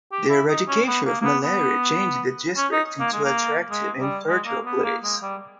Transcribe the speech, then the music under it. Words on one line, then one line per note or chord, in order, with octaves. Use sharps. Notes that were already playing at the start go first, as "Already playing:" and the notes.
The eradication of malaria changed the district into an attractive and fertile place.
G4
E4
D#4
C#4
B3
A#3
A#3
B3
B3
C#4
D#4
A#3
G#3
A#3
G#3
G3
G#3
A#3
B3
A#3
G#3
G3